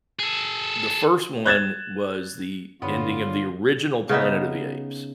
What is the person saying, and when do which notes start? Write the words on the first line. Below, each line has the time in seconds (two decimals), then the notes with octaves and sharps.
The first one was the ending of the original Planet of the Apes
0.19 G#4 A4
1.46 F#6 G#6 A6 E7
2.82 G2 D3 B3 F4 C#5 D#7
4.09 C#3 B3 D#4 E5